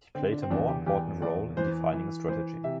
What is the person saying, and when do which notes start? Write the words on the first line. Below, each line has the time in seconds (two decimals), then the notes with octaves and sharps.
He played a more important role in defining a strategy.
0.15 D3 C4
0.32 D4
0.42 C4
0.51 E2 D4
0.68 G4
0.86 E2 G4
1.22 E2 D5
1.57 E3 C5
1.93 E3
2.29 E3 C5
2.64 C3 E5